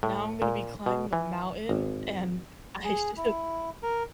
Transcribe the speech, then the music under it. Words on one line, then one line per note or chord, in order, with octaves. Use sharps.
now I'm gonna be climbing a mountain and I should"
A2
A#2
B2
E3
G#1
G#4
E4
A#4